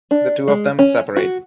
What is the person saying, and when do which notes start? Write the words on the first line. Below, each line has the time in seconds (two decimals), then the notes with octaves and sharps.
The two of them separate.
0.11 D4
0.48 G#3
0.79 C#4
1.17 F#4